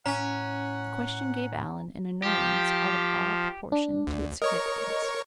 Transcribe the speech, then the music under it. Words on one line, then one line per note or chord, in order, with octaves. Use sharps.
The question gave Alan an annoyance out of all proportion to its significance.
A2 C#4 F#5 G#5 A#5
F3 G4
D4
D2
A#4 C#5 D#5 C#6